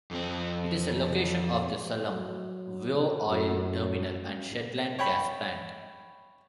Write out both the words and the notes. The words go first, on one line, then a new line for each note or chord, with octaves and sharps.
It is a location of the Sullom Voe oil terminal and Shetland Gas Plant.
F2 C4
F#3
F#2
C#5 G5 B5